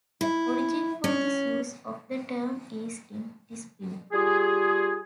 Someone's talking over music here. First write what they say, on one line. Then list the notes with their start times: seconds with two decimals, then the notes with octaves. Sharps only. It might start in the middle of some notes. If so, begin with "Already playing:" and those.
The origin for this use of the term is in dispute.
0.21 E4
1.04 C#4
4.13 G3 F4 G4 G#4